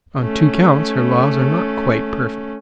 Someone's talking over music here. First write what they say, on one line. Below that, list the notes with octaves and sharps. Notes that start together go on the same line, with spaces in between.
On two counts, her laws are not quite perfect.
A3 C#4